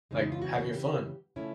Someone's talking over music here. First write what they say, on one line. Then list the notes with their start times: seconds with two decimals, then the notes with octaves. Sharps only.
like, having fun,
0.11 F2 C#3 E3 G#3 D#4
0.22 D#4
0.32 F4
0.42 F#4
0.58 F#4
0.74 G4
1.36 C#3 F3 A3 C#4 E4